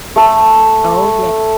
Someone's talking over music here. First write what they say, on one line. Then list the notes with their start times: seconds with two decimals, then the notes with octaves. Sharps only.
Oh, ye
0.16 A3 A4